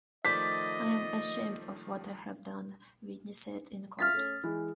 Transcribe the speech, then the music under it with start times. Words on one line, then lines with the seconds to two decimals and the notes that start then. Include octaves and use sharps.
"I'm ashamed of what I have done", Wheatley said in court.
0.25 D#3 F3 A3 C5 D5 D#5 B6
3.99 F4 E5 D#6 F6 A6 B6
4.14 A3 C#4
4.44 E3 G#3 E4